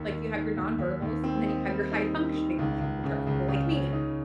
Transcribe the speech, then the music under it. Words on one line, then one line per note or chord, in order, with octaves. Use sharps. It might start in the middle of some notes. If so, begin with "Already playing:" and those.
Like you have your nonverbals, and then you have your high functioning, like which are people like me.
Already playing: D#2 D#3
D#3
D#3
D#2
D#2
D#2
C4
D#4
G3
D#4
D#3
D#3
C#2
C#2
C#3
C#2
C#3
C#4
D#4